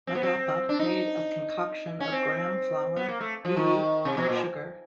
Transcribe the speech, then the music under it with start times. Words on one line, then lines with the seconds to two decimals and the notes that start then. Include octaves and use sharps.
Madappa made a concoction of gram flour, ghee and sugar.
0.07 C4
0.15 B3
0.23 C4
0.69 D4
0.79 D#4
2.00 C#4
2.12 C4
2.96 B3
3.08 A#3
3.20 A3
3.45 F3
3.57 D#3
4.05 C3
4.17 B2
4.29 A#2